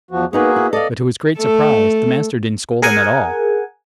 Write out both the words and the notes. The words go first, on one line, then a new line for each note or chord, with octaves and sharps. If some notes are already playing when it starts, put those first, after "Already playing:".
But to his great surprise the master didn't scold at all.
E2 F3 F#4
A#3 B3 D#4 F#4 G#4 B4
E4
A4 D5 D#5 F5
A3 A4
G#4 A#4 F#5 G#5